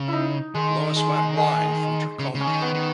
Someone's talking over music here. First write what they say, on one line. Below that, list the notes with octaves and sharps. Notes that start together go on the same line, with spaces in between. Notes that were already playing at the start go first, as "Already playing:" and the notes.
Lewis went blind from trachoma.
Already playing: C#3
D#4 E4
D#3 G#3
G#3
G#3
G#3
C#3
C#3
C#4
D#3
B3
D#3